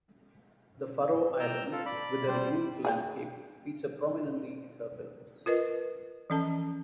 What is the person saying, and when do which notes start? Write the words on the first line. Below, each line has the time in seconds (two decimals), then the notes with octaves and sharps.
The Faroe Islands, with their unique landscape, feature prominently in her films.
1.39 G5 A#5 E6
1.72 F4 A4
1.86 D5 B5
2.27 G3 C5
2.85 G#4 F#5 G5
5.46 F4 A#4 B4 D#5
6.30 E3 F3 C#4 A4 A5